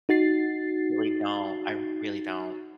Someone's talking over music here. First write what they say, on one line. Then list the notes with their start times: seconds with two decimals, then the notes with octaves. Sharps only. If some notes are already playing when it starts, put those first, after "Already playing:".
Really don't, I really don't.
0.09 D#4 F#4 A6 C7